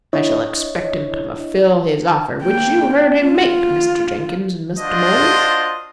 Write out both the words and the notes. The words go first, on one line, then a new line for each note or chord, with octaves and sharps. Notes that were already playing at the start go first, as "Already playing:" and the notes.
I shall expect him to fulfill his offer, which you heard him make, Mr. Jenkins and Mr. Mole.
D4 E4 C#5 D#5
A#3 G5
F4
D4 F4 F#4 C5 D#5